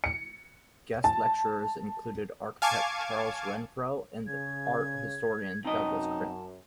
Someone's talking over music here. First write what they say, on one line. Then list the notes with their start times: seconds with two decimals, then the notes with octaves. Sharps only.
Guest lecturers included architect Charles Renfro and art historian Douglas Crimp.
0.04 C#7
1.04 A5
2.62 F5 G#5 A5 C#6 D6 G#6
4.27 C#3 G#6
5.64 F#2 C3 D#4 D#5 A5